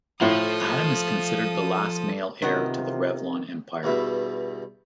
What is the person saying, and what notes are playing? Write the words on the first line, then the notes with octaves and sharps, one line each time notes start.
Adam is considered the last male heir to the Revlon empire.
A2 F3 E4 F4 A4 D#6
C3 D#3 B3 F4
E2 G2 B2 E5